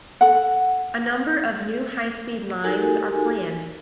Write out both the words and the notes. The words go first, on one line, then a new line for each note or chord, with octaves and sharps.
A number of new high speed lines are planned.
A4 F#5
D#4 F#4 G4 A4 A#4 G#5